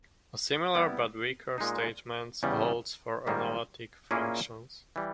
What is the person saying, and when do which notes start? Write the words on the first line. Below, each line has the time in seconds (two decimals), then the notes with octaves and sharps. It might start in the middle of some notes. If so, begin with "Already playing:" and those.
A similar but weaker statement holds for analytic functions.
0.74 G3 B3 E4 G4
1.58 A#2 G#3 D#4
2.43 E2 C#3 G3
3.27 G#2 D#3 G3 A#3
4.11 A#2 A#3 C#4 E4 G#4
4.96 E3 G3